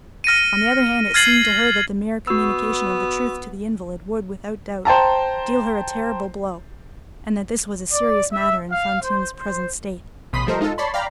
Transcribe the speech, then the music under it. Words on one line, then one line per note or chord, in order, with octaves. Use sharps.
On the other hand, it seemed to her that the mere communication of the truth to the invalid would, without doubt, deal her a terrible blow, and that this was a serious matter in Fantine's present state.
F6 A#6 C#7 D#7
F6 G#6 A6 C7 F#7
B3 F#4 E6
C5 G5 A5 A#5
D5
E5
F5
C5
C5
A1 B2 B5 C6 D#6 B6
F3 G3 A3 A#4 C5 D#5
G#3 D#4 F4 A4
C#5 D5 A5 B5 C6
D5 F5 G5 A#5 B5